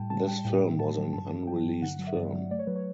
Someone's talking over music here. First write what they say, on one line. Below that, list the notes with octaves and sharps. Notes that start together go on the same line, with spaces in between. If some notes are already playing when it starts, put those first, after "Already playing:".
This film was an unreleased film.
Already playing: A2 G3 G5 A5
G3 A5
G3 G5
A2 G5
A2
A2 A5
F#3
G2 A5
G2
F#3 G5
G2
D3 F#5
F#3
E5
G2 D5
F#3
A3 D5
C#5
F#3 B4
C#5